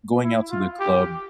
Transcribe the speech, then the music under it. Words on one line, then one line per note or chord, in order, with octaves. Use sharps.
Going out to the club
E4
F4
G4